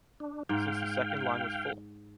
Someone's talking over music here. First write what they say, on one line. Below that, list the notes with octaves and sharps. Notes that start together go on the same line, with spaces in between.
Since the second line was full.
D4
G#2 F5 G5